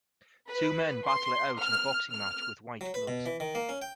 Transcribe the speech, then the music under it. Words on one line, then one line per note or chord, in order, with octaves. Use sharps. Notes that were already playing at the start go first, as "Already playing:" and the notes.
Two men battle it out in a boxing match with white gloves.
B4
C6
F6
F6
F#3
B4
B2
E3
D#3
A#3
C#4
G5